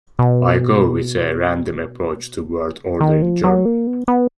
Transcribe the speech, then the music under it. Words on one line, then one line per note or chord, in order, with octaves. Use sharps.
I go with a random approach to word order in German.
B2
F#3
F3
D#3
C#3
D#3
F3
F#3
A#3
B3
B3